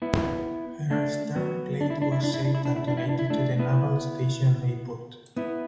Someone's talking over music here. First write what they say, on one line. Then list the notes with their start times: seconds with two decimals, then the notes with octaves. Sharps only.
Her stern plate was saved and donated to the Naval Station Mayport.
0.02 B3 E4
0.90 A3 D4
1.35 F#3 B3
1.81 D4
1.90 E4
2.02 D4
2.12 E4
2.24 D4
2.34 E4
2.45 D4
2.55 E4
2.65 D4
2.76 E4
2.88 D4
2.97 E4
3.09 D4
3.19 E4
3.30 A3 D4
3.59 B3 E4
5.37 B3 E4